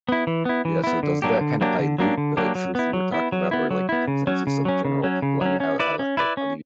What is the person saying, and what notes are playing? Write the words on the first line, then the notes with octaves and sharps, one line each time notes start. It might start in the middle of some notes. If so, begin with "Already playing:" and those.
Yeah, so doesn't that kinda dilute the truth you were talking about or, like, the consensus of general people? I mean, how how how do you
B3 E4
E3
B3 E4
E3
B3 E4
D3
F#3 A#3 D4 G4
D3
F#3 A#3 D4 G4
D3
F#3 A#3 D4 G4
D3
F#3 A#3 D4 G4
F#3
B3 E4
F#3
B3 E4
F#3
B3 E4
F#3
B3 E4
C#3
F#3 C#4
C#3
F#3 C#4
C#3
F#3 C#4
C#3
F#3 C#4
C#4
E4 B4 D5
C#4
E4 B4 D5
C#4